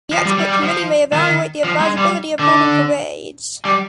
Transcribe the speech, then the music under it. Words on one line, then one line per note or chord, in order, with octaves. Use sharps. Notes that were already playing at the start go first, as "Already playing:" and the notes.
The expert committee may evaluate the advisability of holding parades.
F3
G3
G3
G3
F3
D#3
F3
G#3
G3
D3
G3